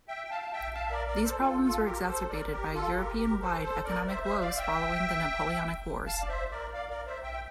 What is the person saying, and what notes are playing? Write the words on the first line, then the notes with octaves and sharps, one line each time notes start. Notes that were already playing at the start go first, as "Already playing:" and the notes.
These problems were exacerbated by European wide economic woes following the Napoleonic Wars.
E5 G5
G5
F5 A5
A5
E5 G5
F5 A5
E5
A#4 D5
A#4 D5
A4 C5
F4 A4
F4 A4
G4 A#4
A4 C5
A#4 D5
G4 A#4
F4 A4
G4 A#4
G4 A#4
A4 C5
A4 C5
A#4 D5
C5 E5
C5 E5
D5 F5
E5 G5
F5 A5
D5
C5 E5
A#4 D5
D5 F5
A#4 D5
C5 E5
E5 G5
G5